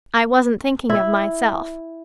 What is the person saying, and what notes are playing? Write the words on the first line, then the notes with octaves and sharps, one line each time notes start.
I wasn't thinking of myself.
E4